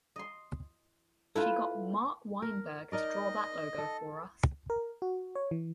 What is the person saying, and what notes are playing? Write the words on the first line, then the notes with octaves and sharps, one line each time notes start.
She got Mark Weinberg to draw that logo for us.
D#5 C6
E4 F4 A4 B4
A#4
D#4 A#4 D5 D#5
A4
A#4
F#4
C#5
E3